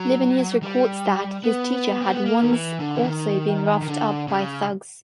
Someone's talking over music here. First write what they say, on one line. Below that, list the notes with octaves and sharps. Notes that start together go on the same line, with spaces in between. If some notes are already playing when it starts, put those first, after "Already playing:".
Libanius records that his teacher had once also been roughed up by thugs.
Already playing: F#3
G3
B3
C4
B3
A#3
D#3
E3
D3
E3
D#3
D#3
D3
C#3